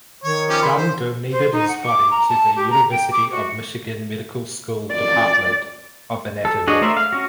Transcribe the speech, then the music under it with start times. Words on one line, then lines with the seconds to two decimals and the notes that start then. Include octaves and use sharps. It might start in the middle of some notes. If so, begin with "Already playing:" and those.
Dunn donated his body to the University of Michigan Medical School Department of Anatomy.
0.24 D#3 C#5
0.49 F3 C#4 G4
0.62 B5 C6
0.77 C5
1.31 C5
1.52 D#4
1.68 F#5
1.86 D6
2.11 A#5
2.28 A5
2.56 G4
2.70 A#5
2.90 G5
3.11 D6
3.31 F#4
4.92 D5
6.45 A4
6.67 D4 F#4 G#4 C#5 D#5
6.81 A3 A#4 C5 D5 E5
6.97 F5
7.12 C#4 F#4